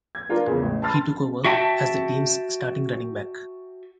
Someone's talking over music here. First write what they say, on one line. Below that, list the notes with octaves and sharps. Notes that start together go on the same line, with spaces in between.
He took over as the teams starting running back.
G#6
D4 F4 A#4
E2 C#3
A1
A5 B5 C6 F6 A6
F#4 E5 G5 A5